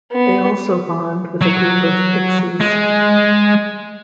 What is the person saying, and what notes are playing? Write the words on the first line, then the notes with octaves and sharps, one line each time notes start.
They also bond with a group of pixies.
B3
F#3
G#3